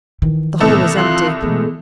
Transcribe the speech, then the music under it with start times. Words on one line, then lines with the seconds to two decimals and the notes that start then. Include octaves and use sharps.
The hole was empty.
0.22 D#3 E3
0.60 C2 A2 B3 A4
0.97 F4 C6 F#6
1.42 B2 E3 G#3 A3